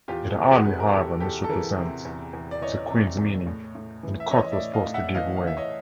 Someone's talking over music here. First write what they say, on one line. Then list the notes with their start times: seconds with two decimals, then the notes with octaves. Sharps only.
It hardly, however, misrepresents the Queen's meaning, and Cox was forced to give way.
0.08 E2 F4 G4
0.36 E3
0.51 F#4 G#4
0.64 C3 B4
0.80 A#4
0.93 E2 G4 A4
1.20 E2 G4 A4
1.44 A4
1.49 E3 G#4 A#4
1.77 C3
2.05 E2
2.33 E2
2.51 D5
2.62 E3 C#5 D#5
2.90 C3
3.18 E2
3.47 A2
3.75 A2
4.03 E3
4.20 E5
4.31 E3 C#5 D#5
4.42 D#5
4.52 D5 E5
4.58 A2
4.74 D#5 F5
4.86 A2
4.94 E5 F#5
5.15 E3 D#5 F5
5.37 F5
5.43 E3 E5
5.57 C#5 D#5